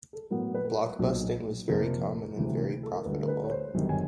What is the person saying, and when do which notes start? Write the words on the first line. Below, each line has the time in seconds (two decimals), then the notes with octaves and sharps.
Blockbusting was very common and very profitable.
0.13 A4
0.30 A2 F#3 B3 A#4
0.54 B4
0.65 A#4
0.99 B1 A#2 F#3
1.68 F2 C3 F3 A#3
2.36 D2 C3 E3 G3
2.83 A4
2.94 A#4
3.05 D2 D3 G3 B4
3.22 A#4
3.28 B4
3.44 C#5
3.51 C5
3.74 G1 F#2 D#3 G3
3.89 G#5